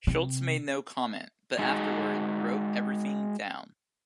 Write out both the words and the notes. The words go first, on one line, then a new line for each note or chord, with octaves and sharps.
Schultz made no comment, but afterward, wrote everything down.
C3
G#3 D#4 F#4